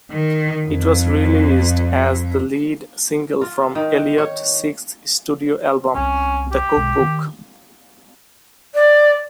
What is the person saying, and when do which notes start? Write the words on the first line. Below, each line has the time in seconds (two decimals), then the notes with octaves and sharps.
It was released as the lead single from Elliott's sixth studio album, "The Cookbook".
0.10 D#3
0.67 F2
3.41 F4
3.75 D#3
4.18 C#5
5.95 C2 C4 C#4
6.52 G4
6.76 B1 B2 G#3
7.01 D#3
8.75 D5